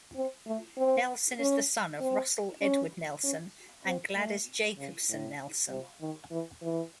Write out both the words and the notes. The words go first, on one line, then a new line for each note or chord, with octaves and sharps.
Nelson is the son of Russell Edward Nelson and Gladys Jacobsen Nelson.
C4
A3
C4
C#4
C4
C#4
C#4
C4
A3
C#3
A2
C3
D#3
E3
E3